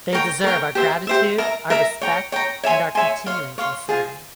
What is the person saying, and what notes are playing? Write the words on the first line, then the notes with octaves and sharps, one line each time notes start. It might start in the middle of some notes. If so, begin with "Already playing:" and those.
They deserve our gratitude, our respect, and our continuing concern.
A#4 C#5 G5 A#5
A#4 C#5 G5 A#5
G4 C5 E5
G4 C5 E5
A#4 E5 A#5
A#4 E5 A#5
C#5 G5 A#5
C#5 G5 A#5
C#5 E5 G#5 C6
C#5 E5 G#5 C6
C#5 F5 C6
C#5 F5 C6
F4 G#4 C5